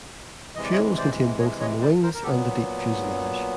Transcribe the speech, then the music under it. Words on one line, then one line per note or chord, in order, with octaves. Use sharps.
Fuel was contained both in the wings and the deep fuselage.
C3 E3 G#3 D#5
D5
C#5 D#5
C5 D5
C#5 D#5
C#5 D#5
C5 D5
A#4 C5
A#4
A#2 F#3 B3 G4 A4